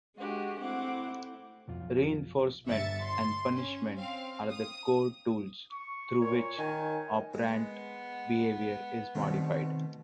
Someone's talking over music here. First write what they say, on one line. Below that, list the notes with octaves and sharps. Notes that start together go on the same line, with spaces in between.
Reinforcement and punishment are the core tools through which operant behavior is modified.
G#3 D4 F#4 G4
A3 C4 E4 F#5 D6
B1 F2 F4
G1 E5 A6 C#7
C6
C#4
C4 F5
D#6
C#6
A#2 C#5
D#3 G#5
G#3 B3
C2 B2 D#3 A3 C4